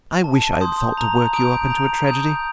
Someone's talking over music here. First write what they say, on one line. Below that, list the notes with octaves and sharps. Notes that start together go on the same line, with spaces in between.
"I wish I had thought to work you up into a tragedy."
A5
C6 D#6 G6
A#5 F7
D#6 G6 D7
A#5 F7
D#6 G6